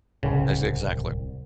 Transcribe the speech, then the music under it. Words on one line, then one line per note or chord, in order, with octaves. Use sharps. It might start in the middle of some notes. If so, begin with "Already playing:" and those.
Ex exactly.
D1 C2 C#3